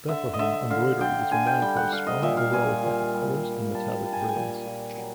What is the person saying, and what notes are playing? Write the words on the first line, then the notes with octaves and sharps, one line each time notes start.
Bethlehem embroidery was renowned for its strong overall effect of colors and metallic brilliance.
D3 E5
D#5
D3 E5
D3 F5
D3 G5
D3 G#5
G5
G3 G5
F#5
G3 F5
D#5
A#2 E5
F5
A#2 G#5
A#2
G3
G3
G3 A5
G3 A5
G#5
G5
G#5
A#2
A#2
F#3